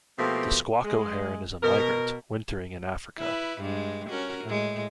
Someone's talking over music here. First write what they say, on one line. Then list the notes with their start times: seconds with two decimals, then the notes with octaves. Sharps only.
The squacco heron is a migrant, wintering in Africa.
0.18 B2 F3 A3 A#3 C4 G4
0.84 G#3
1.63 B2 A#4
3.19 E4 B4
3.61 G2 G#3
4.10 C#4 F#4 A#4
4.45 A2 G#3